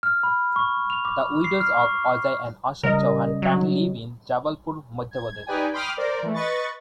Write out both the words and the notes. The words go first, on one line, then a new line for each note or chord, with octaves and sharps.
The widows of Ajay and Ashok Chauhan currently live in Jabalpur, Madhya Pradesh.
F6
B5
C#6
F7
D6
C7
F6
C#6
C#3 G3 A#4 D#5
F#3
G#6
D#4 G4 B4 D5 G5 G#5
G5 B5 C6 D6 D#6 F6
A#4 C5 D5
E3 A3
B4 D#5 C#6 A6